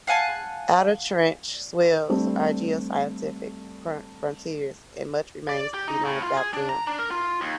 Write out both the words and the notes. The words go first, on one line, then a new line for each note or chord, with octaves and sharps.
Outer trench swells are geoscientific frontiers and much remains to be learned about them.
F5 F#5 G#5 A5
G3 A3 C4 D4
D5
G4
D#4
A2
F4
G#4
D4
A#5
D4
A#4
F4
D#2